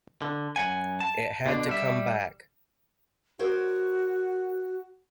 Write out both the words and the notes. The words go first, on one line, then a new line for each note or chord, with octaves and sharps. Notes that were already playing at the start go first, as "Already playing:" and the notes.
It had to come back.
D3
F#2 F#5 G#5
A5
B2 D3 D4
G3 E5
F#4 A#4 C5 C#5